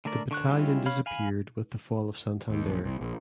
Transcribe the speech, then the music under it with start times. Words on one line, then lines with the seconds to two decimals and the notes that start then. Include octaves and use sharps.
The battalion disappeared with the fall of Santander.
0.05 D3 A3 A#4 D5
0.31 D3 C#6 F#6
0.49 G3 G#3 C#4 E4 F4
0.86 C#4 C#5 F5 B5 F6
1.06 F5 G#5 B5
2.50 D#2
2.67 A#1
2.84 C2
3.01 A#1